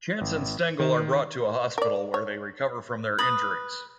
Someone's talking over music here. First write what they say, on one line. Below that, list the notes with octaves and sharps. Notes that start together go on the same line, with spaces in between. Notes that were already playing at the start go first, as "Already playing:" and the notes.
Chance and Stengel are brought to a hospital, where they recover from their injuries.
G#1
D#3
A#4 D5
C#5
B4 B5 D#6